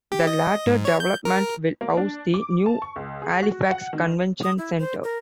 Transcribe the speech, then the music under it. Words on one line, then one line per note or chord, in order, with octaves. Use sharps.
The latter development will house the new Halifax Convention Centre.
G4
D#5
G#2
C#5
G6
A#4
A#3
D4
D6
A5
C#6
C#2
G#4
F#4
F#5
D#3
D#6
E4
C5
A#4